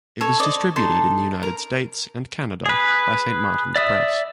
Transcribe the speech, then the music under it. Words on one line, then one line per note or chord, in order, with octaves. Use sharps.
It was distributed in the United States and Canada by Saint Martin's Press.
A4 C#5
A4 C5 D5 D#5
D#4 A4 A5 C6
A#4
G#4 B4
D5 E5 D#6